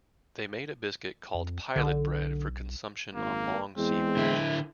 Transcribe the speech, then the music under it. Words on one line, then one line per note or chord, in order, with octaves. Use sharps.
They made a biscuit called pilot bread for consumption on long sea voyages.
F2
B1 D3
G#1 A#3
E2 G#3 C4
D3 E4